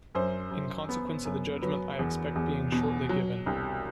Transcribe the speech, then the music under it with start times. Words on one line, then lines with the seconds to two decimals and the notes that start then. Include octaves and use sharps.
In consequence of the judgment I expect being shortly given.
0.15 F#2 C5
0.51 F#2
0.89 B3
1.25 F#2
1.62 F#3 B4
1.99 E2
2.36 E2
2.72 B2
3.09 F#3
3.46 C2